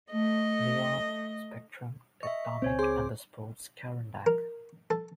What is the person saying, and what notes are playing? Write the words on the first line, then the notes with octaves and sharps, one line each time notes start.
Neon, Spectrum, Techtonic and the Sports Karandak.
A3 D#5
D#5 E5 C#6
C#2 C4 C5 C#5 G#5
G#4 C6 D6 G6
A#4
A4